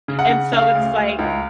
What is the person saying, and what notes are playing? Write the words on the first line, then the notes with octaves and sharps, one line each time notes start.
and so it's like,
C#3
F#5
C#3
C#3 F5
D2
D2
C#2